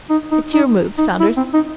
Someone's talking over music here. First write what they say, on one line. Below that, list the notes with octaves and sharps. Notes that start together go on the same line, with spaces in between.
It's your move, Saunders.
D#4
D#4
D#4
D#4
E4
C4
D#4